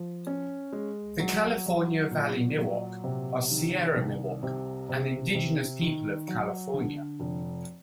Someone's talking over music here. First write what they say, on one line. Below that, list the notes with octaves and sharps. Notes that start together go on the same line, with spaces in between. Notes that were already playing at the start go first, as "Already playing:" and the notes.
The California Valley Miwok are Sierra Miwok, an indigenous people of California.
Already playing: F3
C#4
G#3
F#3
F#3
A#2
F#3
C3
D#3
C2
C3
C3
C3
D#3
F#3
D3
F1